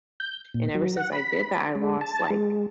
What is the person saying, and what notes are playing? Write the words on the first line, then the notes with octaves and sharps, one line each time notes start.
And ever since I did that, I lost, like,
G6
A#2
F#3
F#5
B5
G#3
A5
G#3